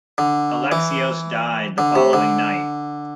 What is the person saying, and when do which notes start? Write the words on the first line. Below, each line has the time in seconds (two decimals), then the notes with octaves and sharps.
Alexios died the following night.
0.18 D3
0.72 E3
1.78 D3
1.96 C3
2.13 D3